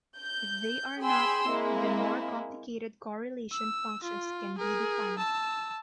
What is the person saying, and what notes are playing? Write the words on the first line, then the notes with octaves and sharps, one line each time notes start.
If they are not, then more complicated correlation functions can be defined.
G6
G#4 G5 G#5 B5 C6 E6
G#3 A#3 C4 E4
E6
F4
G#4 A#4
A5 E6